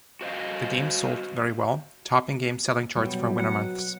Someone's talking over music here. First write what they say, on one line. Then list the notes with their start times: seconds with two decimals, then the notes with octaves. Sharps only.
The game sold very well, topping game selling charts for winter months.
0.21 F#4 C5 D#5 F5
2.96 B2 F#3 G3
3.38 F#5